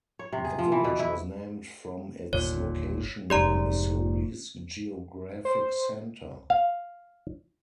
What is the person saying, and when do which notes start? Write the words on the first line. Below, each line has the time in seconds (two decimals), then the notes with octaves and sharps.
The village was named from its location near Missouri's geographic center.
0.19 C#5
0.33 C3
0.45 G#4
0.59 F3
0.72 E3
0.84 B2
0.99 E4
2.33 G1 D#2 A#2 C#5
3.30 F1 G#2 G4 D5 A#5
5.45 C5
6.50 F5